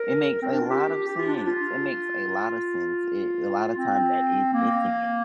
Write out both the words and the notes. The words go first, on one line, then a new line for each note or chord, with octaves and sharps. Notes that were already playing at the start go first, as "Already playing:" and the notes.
It makes a lot of sense. It makes a lotta sense. Eh, a lotta time that is missing and
Already playing: A#4
C4
D4
F4
G4
G4
F4
D4
F4
F4
C4
A#3